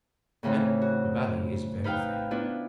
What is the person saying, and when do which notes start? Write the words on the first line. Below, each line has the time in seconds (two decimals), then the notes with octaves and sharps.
And the valley is very fair.
0.43 A2 C#3 E3 C4 D#4
0.82 F#4
1.84 D#4 B4 F5 G5
2.31 B3 D4 E4 F4